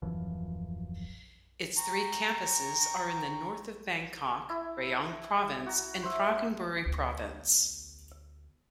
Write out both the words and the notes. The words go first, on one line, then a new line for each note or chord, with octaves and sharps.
Its three campuses are in the North of Bangkok, Rayong province and Prachinburi province.
D#1 F#2 E3 F3
G5 A#5 C#6
E4
F#4 A#5
C5 E5
D2 B3